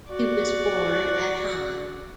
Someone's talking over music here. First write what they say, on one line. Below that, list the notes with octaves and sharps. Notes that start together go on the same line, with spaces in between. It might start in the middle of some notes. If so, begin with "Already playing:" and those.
He was born at Hann.
F#4 D5